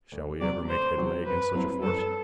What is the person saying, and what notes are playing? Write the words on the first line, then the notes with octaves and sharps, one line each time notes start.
Shall we ever make headway against such a force?
D2
C3 F#3 C4 F#4 D5
D2 C5
C3 F#3 C4 F#4
F#2 B4
F#3 C4 E4
F#2 A4